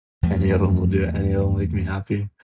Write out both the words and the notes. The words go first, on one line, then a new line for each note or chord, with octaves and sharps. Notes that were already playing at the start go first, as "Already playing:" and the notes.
Any of them will do it, any of them make me happy.
E2 F3 F#3 A3